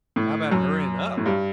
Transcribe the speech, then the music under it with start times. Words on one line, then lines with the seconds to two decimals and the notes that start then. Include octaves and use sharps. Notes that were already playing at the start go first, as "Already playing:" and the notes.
"How 'bout hurryin' up?"
0.16 A2
0.52 F#2
1.17 A2
1.26 G2